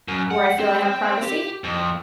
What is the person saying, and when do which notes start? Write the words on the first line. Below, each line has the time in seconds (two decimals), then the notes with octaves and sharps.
where I feel I have privacy.
0.08 F#2
0.31 F#5
0.59 C4
1.22 G4
1.64 F2